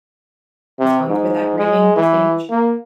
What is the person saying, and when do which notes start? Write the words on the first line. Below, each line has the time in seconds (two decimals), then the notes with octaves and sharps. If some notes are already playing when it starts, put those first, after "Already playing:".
has gone through that grieving stage?
0.79 C3
1.09 G#2
1.58 G#3
1.96 E3
2.50 A#3